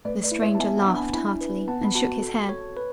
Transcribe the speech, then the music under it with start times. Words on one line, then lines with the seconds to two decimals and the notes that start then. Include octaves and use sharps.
The stranger laughed heartily, and shook his head.
0.05 A3 B4 D5
0.23 B4 D5
0.32 E4
0.42 C#5 E5
0.55 A5
0.59 B3 E5 G#5
0.78 F#5 A5
0.87 D4
0.96 G#5 B5
1.13 E4 G#5 B5
1.41 B4
1.68 B3 F#5 A5
1.84 B5
1.95 F#4 F#5 A5
2.22 A4
2.49 C#5
2.77 B4